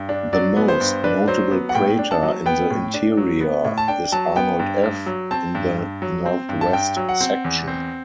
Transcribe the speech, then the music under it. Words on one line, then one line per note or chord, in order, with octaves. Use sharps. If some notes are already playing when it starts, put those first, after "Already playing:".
The most notable crater in the interior is Arnold F, in the northwest section.
Already playing: G2
D4
F#3 D5
B3
C5
G2
D4 B4
F#3 C5
B3
F#5
A2 G5
D4
A5
F#3
B3 G5
A2
D4
F#3
B3
A2
A5
D4 G5
F#3 A5
B3 G5
G2
G2
F#3
C4 A5
G2
G2
F#3
C4
G2
A5
G2 G5
F#3
F#5
C4
E2
C4